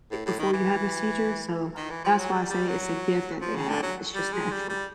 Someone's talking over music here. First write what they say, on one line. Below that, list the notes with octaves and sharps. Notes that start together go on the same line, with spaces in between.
i before you have a seizure, so, that's why I say it's a gift that they have. It's just natural.
A2
A2
D#3
E3
D#3
E3
F3
F#3
G3
G3
F#3
F3
C#3
D3
F#3
G3
G#3
G3
G3